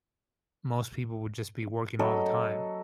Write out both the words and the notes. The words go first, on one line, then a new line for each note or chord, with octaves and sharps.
most people would just be working all the time.
F#3 A4 D#5 B5